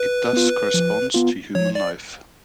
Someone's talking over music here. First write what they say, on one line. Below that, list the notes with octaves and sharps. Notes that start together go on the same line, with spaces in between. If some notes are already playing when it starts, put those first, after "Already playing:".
It thus corresponds to human life.
Already playing: B4
B3 F4
F3
B3 F4
F3 C#5
D5